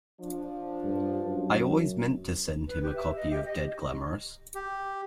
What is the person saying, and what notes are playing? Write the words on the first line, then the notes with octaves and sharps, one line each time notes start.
I always meant to send him a copy of Dead Glamorous.
F3 D4
G2
F#2
B4
G4
E5
D#5
G4
D#5
G4